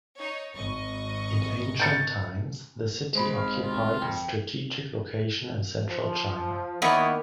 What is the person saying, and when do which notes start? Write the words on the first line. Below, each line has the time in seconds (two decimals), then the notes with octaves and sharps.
In ancient times, the city occupied a strategic location in central China.
0.17 D#4 C#5
0.55 G#1 D#5 C#6
1.80 G6 A6 C#7
3.15 G#3 C5 B5
3.36 G#1 F5
3.62 F4
4.02 F2 G5
5.86 F3
6.82 D#3 A#3 B3 E4 C#5